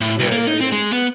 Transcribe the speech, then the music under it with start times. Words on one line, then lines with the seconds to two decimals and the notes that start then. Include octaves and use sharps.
Yeah, yeah, yeah.
0.01 A2
0.19 C2
0.32 A#3
0.47 D#4
0.61 C4
0.72 G#3
0.93 B3